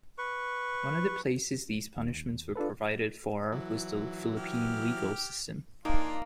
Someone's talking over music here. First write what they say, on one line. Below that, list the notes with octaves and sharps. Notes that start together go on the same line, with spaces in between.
One of the places these punishments were provided for was the Philippine legal system.
B4 C#6
D#2
D4 F4 A4 B4
E3 F#3
G4 F6
A#3 D4 D#4 F4 G#5